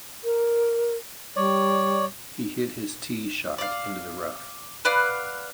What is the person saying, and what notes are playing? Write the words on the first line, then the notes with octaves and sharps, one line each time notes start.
He hit his tee shot into the rough.
A#4
G3 C#5 D5
D5 F5
B4 D5 F5 F#5